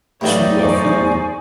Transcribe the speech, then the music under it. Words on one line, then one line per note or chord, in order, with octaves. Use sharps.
True. I feel it
A2 E3 F#3 D#4 G4 D5 E5 F5
C5 G#5 C#6